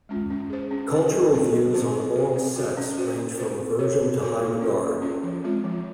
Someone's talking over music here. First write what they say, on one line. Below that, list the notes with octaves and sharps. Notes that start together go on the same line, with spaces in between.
Cultural views on oral sex range from aversion to high regard.
G#3 C#4 F4
C#4
G#4 C5
C#4
G#4 C5
F#3
C4 F#4 C5
F#3
C4 F#4 C5
C4
F#4 C5
C4
F#4 C5
C#4
F#4 C5
C#4
F#4 C5
C4
F#4 A#4 C#5
C4
F#4 A#4 C#5
A#3
C#4 F4
A#3
C#4 F4
F3
G#3 C4 F4
F3